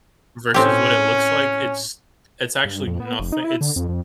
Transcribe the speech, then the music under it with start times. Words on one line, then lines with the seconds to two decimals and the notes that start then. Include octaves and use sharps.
versus what it looks like, it's it's actually nothi it's
0.54 A2 C4 C#4 G4
2.65 G2
2.87 F2
3.00 B3
3.19 F1
3.32 D#4
3.44 E4
3.61 D3
3.76 F2
3.89 F2